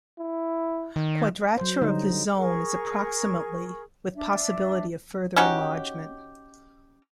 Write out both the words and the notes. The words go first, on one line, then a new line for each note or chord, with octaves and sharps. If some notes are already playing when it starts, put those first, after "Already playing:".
Quadrature of the zone is approximately with possibility of further enlargement.
E4
D#3
F#3 C5
D3 G3 D#4
G#4 A#4 C#6
D4 E5
C#4 D#4 F#4 G4